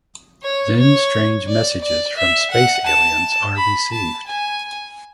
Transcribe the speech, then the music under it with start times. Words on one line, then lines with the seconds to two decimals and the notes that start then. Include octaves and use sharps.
Then strange messages from space aliens are received.
0.42 C#5
0.77 C#5
1.47 D5
1.81 D5
2.17 E5
2.51 F#5
2.86 A5
3.56 B5
3.91 A5
4.26 G#5